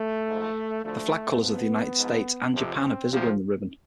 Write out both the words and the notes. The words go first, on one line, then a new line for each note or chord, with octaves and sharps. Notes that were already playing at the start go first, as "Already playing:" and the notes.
The flag colors of the United States and Japan are visible in the ribbon.
Already playing: A3
G#2 F3
D2 D3 F3 A3
G#2 F3 B3
G#2 F3
F2 C3 F3 C4
D2 C3 F3